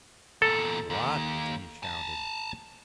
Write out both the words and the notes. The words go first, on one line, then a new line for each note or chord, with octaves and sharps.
"WHAT!" he shouted.
E2 A#2 A4
D#2
G#5 A5